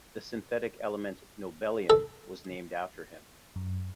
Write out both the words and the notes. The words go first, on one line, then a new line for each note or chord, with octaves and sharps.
The synthetic element nobelium was named after him.
A4
F#2